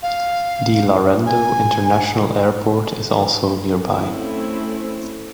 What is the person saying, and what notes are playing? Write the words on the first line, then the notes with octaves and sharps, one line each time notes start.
The Laredo International Airport is also nearby.
F5
G#5
A3 C4 C#4 E4